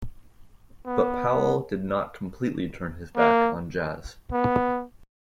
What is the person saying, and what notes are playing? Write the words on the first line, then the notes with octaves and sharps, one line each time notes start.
But Powell did not completely turn his back on jazz.
B3
A#3
B3